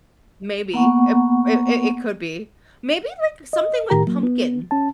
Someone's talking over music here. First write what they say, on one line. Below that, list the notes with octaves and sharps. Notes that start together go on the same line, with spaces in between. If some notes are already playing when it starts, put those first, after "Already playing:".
Maybe. Ip it it it could be. Maybe, like, something with pumpkin.
A#3 B3 F#5 A#5 C#6
D#5
A2 D#3 G4 A#4 A#5
F#3 A#3
B3
C#4 A5